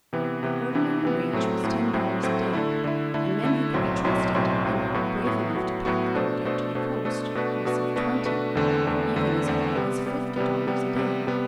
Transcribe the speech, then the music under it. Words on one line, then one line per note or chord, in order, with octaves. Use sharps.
The ordinary wage was ten dollars a day, and men who could be trusted, and who were brave enough to pack the gold out to the coast, received twenty and even as high as fifty dollars a day.
C3 E3 B3
C3 E3 B3
C3 E3 B3
C3 E3 B3
A2 F#3 A3 C4
A2 F#3 A3 C4
A2 F#3 A3 C4
A2 F#3 A3 C4
D3 A3 E4
D3 A3 E4
D3 A3 E4
D3 A3 E4
B1 A2 F#3 C4
B1 A2 F#3 C4
B1 A2 F#3 C4
B1 A2 F#3 C4
A2 F#3 B3 F#4
A2 F#3 B3 F#4
A2 F#3 B3 F#4
A2 F#3 B3 F#4
B2 A3 D4 A4 C5
B2 A3 D4 A4 C5
B2 A3 D4 A4 C5
B2 A3 D4 A4 C5
B2 A3 D4 F#4 B4
B2 A3 D4 F#4 B4
B2 A3 D4 F#4 B4
B2 A3 D4 F#4 B4
E2 D3 A3 C4
E2 D3 A3 C4
E2 D3 A3 C4
E2 D3 A3 C4
C3 G3 B3
C3 G3 B3
C3 G3 B3
C3 G3 B3
C3 G3 B3
C3 G3 B3